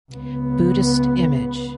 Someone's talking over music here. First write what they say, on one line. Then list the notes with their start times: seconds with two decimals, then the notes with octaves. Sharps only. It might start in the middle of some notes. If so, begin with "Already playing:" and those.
Buddhist image.
0.12 C#2 B3